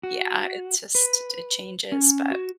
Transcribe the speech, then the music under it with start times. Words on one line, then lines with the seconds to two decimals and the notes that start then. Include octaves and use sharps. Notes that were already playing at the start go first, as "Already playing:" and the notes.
yeah, it just it changes, but
0.03 F#4
0.95 B4
1.92 C#4
2.31 F#4